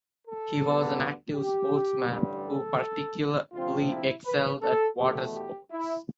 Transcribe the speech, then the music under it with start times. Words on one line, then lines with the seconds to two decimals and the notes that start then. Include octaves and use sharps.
He was an active sportsman who particularly excelled at water sports.
0.27 A4
0.63 D2 D3 G3 B3
1.35 G4
2.08 A1 G2 D3 G3
2.44 A4
3.52 D2 C3 F3 C4 F4
3.89 E4
4.25 B4
4.62 A4
4.98 E2 B2 A3 G4
5.34 G4
5.71 E4